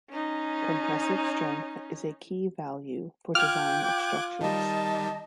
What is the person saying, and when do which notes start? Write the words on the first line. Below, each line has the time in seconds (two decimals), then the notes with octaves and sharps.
Compressive strength is a key value for design of structures.
0.10 C#4 D#4
3.35 F4 G5 D6 F6 F#6 G#6
4.41 D#3 G3 D#5 A5